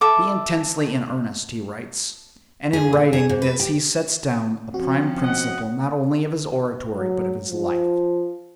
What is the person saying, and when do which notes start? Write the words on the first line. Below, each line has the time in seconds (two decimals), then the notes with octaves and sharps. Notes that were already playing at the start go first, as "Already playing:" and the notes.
"Be intensely in earnest," he writes; and in writing this he sets down a prime principle not only of his oratory, but of his life.
0.01 A4 E5 A5 D6
2.73 G#4
2.93 A#2
3.13 G#4
3.29 G#2
3.42 B4
3.60 G4
4.74 F3 C4 C#4 F#4
5.23 D#5 F#5
6.96 F#3
7.50 F3